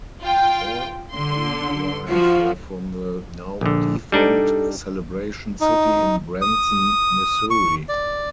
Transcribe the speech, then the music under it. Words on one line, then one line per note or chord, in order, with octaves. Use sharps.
All three rides were from the now defunct Celebration City in Branson, Missouri.
F4 G5
D3 C6
F3 F4 F#4
A#1 D3
G3 D4 D#4 A4
D#4
D#6
C#6
D5